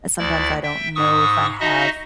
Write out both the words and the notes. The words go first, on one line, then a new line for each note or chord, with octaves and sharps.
sometimes I don't know if I have
D2 E4 D5 A6
E5 G5
G#2 C#6 D#6 E6
D#4 F#4 D#5 E5